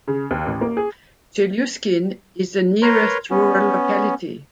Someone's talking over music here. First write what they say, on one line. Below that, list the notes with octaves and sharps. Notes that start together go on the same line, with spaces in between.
Chelyuskin is the nearest rural locality.
C#3
D#2
A1
A#3
G#4
A#4 B4 C#5 A#5 C6
B3 C#4